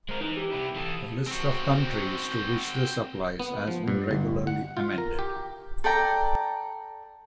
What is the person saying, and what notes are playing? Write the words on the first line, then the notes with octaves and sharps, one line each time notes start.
The list of countries to which this applies has been regularly amended.
G#3 A#4 C5
E3 D#4
G4
C3 E4
E3 A4 D#6
C4 F#4
B3
F3
G2
G1
F#5
F4
A#4
G4
A4 D5 G5 A#5